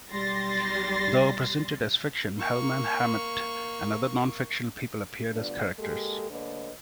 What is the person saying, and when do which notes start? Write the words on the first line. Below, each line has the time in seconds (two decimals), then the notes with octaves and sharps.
Though presented as fiction, Hellman, Hammett, and other nonfictional people appeared as characters.
0.11 B1 G3 C6 A6 A#6
2.37 A#3 C#6
5.33 D2 G2 B3 D4 F4 D5
5.78 G#3 A#3 G4 A4
6.30 D2 D3 A#3 B4 C#5 D#5